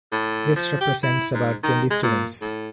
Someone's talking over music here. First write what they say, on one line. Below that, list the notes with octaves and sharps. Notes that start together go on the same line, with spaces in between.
This represents about twenty students.
A2
F3
G4
E4
G#2
D#3
G#3
A#2
A2